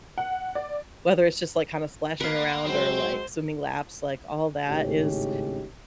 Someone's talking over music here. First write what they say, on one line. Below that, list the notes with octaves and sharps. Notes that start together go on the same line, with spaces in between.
whether it's just, like, kinda splashing around or, like, swimming laps, like, all that is
F#5
D5
A#3 A#4 B4 F5
F#3 G#3 C4 F#4 C5
G#1 A2 C#3 C#4 D#4 G4